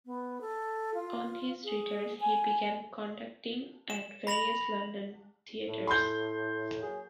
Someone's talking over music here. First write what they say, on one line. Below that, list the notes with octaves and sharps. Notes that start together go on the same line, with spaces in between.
On his return he began conducting at various London theatres.
B3
A4
F4
G#4
G#5
E7
B5 A#6 F7 F#7
A2
C6 G6
F#3 A#3 G#4